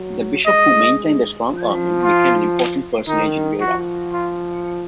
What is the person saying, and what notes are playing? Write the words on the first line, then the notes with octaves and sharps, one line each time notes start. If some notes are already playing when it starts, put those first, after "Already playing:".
The bishop, who maintained a strong army, became an important personage in Europe.
Already playing: F#3
G#3 D#5
F3
F4
D#3 D#4
F3 F#4
F4